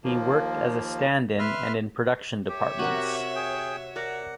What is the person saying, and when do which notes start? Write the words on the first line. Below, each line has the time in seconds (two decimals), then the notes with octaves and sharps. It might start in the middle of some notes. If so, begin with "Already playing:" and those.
He worked as a stand-in and in production departments.
0.04 D#2 F3 A#3
1.39 B4 E5 C6 F6
2.49 G4 C#5 E5
2.79 C3 F#4 A#4 F#5
3.35 G#4 G5
3.96 A#4 D5 F#5